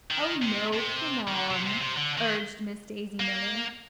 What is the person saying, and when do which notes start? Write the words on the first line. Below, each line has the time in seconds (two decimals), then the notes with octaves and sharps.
"Oh, no; come on!" urged Miss Daisy Miller.
0.11 D#3
0.42 C3
0.73 C3
1.28 D#3
1.35 D3
1.50 C3
1.66 C3
1.81 C3
1.97 D3
2.17 D#3
3.20 A#3